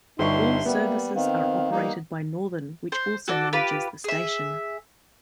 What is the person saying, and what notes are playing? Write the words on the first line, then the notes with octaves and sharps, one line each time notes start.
All services are operated by Northern, which also manages the station.
G1 G2 D#4 E5 C6 C#6
G3 A#3 B3
D#3 C4 F5
G3 A#3 D#4
C5
F#4 A4 D5
F4 G4 B4
G#4 E5